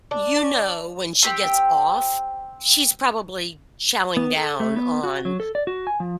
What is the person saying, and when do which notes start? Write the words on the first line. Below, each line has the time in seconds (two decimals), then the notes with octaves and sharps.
you know, when she gets off, she's probably chowing down on
0.11 D4
1.23 C4 G4 G5
4.17 B3
4.37 A4
4.60 A3
4.76 B3
5.04 F#4
5.25 F#3
5.40 A4
5.55 D5
5.67 F#4
5.87 G#5
6.00 F3